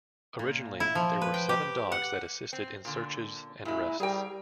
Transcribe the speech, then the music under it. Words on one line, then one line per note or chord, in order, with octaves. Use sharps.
Originally there were seven dogs that assisted in searches and arrests.
A#2
E4
F3
B4
G5
G4
F#5
C4
A#2 D3
A#2 G#3 E4
G3 G#4 A#4 G5